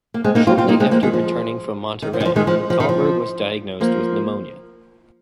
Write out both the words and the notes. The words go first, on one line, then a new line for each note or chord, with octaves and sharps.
Shortly after returning from Monterey, Thalberg was diagnosed with pneumonia.
A#3
G#3 C4
A#3 D#4
C4 F4
C4 F4
A#3 D#4
G#3 C4
F3 A#3
D#3 G#3
F3
D#3
F3
D#3
F3
D#3 G#3
F3
F3
D#3
F3
F3 A#3